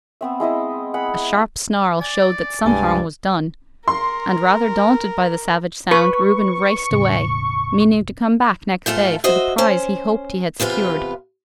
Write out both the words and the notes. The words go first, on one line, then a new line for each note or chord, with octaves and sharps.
A sharp snarl showed that some harm was done, and, rather daunted by the savage sound, Reuben raced away, meaning to come back next day for the prize he hoped he had secured.
B3 C4 E5
G#3 E4 D#5 E5
G#4 F#5 B5
D5 G#5
C#2 G2 C3 G#3 D5 G#5
A#4 C6
B4 C#6
E1 A2 C#3
G#2 A3 F4 A4
F#4 C5 D#5 E5
C#4 C5
E2 C3 F4 B4